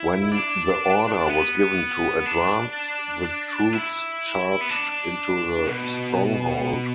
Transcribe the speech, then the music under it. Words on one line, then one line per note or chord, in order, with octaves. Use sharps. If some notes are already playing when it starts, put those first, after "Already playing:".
When the order was given to advance, the troops charged into the Stronghold.
Already playing: E4
D4
B3
D4
E4
B3
D4
B2